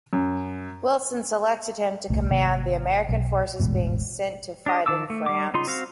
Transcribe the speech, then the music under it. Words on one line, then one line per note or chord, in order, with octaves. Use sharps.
Wilson selected him to command the American forces being sent to fight in France.
F#2
D#1 C2 A3
G#1 C3 A#3
B1
E1 A1 G#2 B2
D4 G4 D#5
D#3 A5 D6 E6
A3
G3 D6
C#3 D#4 F4 C6
C4 F#4 F5